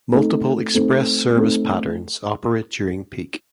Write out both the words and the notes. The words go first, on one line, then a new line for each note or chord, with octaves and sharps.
Multiple express service patterns operate during peak.
A3 C4 D#4 A4
A3 C4 D#4 A4
A3 C4 D#4 A4